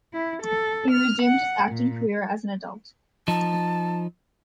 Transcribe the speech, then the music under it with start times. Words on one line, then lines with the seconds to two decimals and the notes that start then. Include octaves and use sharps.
He resumed his acting career as an adult.
0.13 E4
0.43 A4
0.91 F6
1.23 F#5
1.71 A#2
3.28 F3 D#4 A5